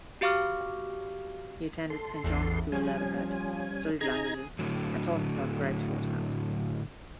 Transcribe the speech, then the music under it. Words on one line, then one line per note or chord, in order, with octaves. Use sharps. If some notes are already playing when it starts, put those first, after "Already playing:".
He attended Saint John's School, Leatherhead, studied languages and taught himself Gregg Shorthand.
F#4 G4 F5 C#6 D6 F6
A4 C6
A1 E2
F3 G3 C#4 G#5
D#4 G#4 A#5 G#6
A2 D3 F#3